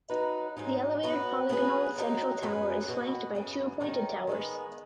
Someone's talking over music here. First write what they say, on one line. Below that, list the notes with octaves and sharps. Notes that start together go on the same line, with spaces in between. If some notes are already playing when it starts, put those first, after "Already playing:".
The elevated polygonal central tower is flanked by two pointed towers.
F#3 D#4 B4
G#2 F#3 D#4
F#3 B3 F#4 B4
F#3 B3 D#4 G#4 B4
F#2 F#3 D#4
F#2 F#3 B3 G#4
B2 B3 F#4
F#2 C#3 B3
D#2 D#3 F#3 D#4
D#3 G#3 B3 G#4